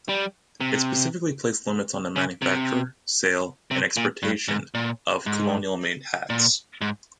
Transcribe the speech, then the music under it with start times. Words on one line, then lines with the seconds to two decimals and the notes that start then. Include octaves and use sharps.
It specifically placed limits on the manufacture, sale, and exportation of colonial-made hats.
0.09 G3
0.60 C3
2.16 C#3
2.42 C3
3.71 C3
3.97 A#2
4.23 G2
4.48 G#2
4.74 A#2
5.26 G#2
6.30 A#2
6.81 G#2